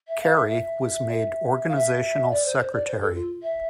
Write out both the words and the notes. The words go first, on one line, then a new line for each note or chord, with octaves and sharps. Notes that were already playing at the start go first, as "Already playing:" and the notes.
Kerry was made "Organizational Secretary".
E5
F5
E5
E5
F5
E5
D5
C5
C5
D5
C5
A4
F4
E5